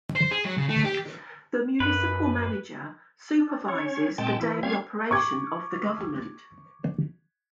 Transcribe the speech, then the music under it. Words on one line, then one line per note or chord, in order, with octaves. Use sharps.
The municipal manager supervises the daily operation of the government.
C5
G#4
F#3
C#3
A3
G4
F#2 B4
D4
C#4 C#5
A#2 G#3 C4 G5 A5
E3 E4
G3 C4 C#4 F5 G#6
C#6 D6 G#6